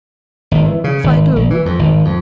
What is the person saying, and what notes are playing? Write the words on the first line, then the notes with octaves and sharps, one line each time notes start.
"If I do?"
G#1
E3
C#3
G#1
A#1
E3
F2
G#1
F2